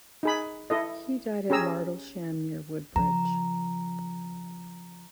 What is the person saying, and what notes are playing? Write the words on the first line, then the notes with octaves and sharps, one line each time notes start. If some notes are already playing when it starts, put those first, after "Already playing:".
He died at Martlesham, near Woodbridge.
D#4 G#4 B5
E4 A4 D#5
C#4 G4 G#4 A#5 E6
C#3 F3 A#5